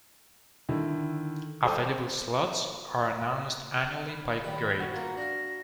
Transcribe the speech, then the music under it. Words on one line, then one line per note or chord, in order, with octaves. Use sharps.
Available slots are announced annually by grade.
D3 D#3 E4
A4 C5 G5 D6 D#6
B5
D#3 G3 B4
F#4
A#3 F4 A#5
D4 F5 A#6